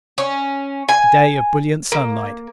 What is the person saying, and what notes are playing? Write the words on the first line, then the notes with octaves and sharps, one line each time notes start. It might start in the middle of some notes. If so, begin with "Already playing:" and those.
A day of brilliant sunlight.
C#4
G#5
A#3